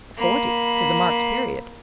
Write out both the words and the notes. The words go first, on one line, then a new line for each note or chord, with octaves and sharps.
Forty; 'tis a marked period.
A#3 B5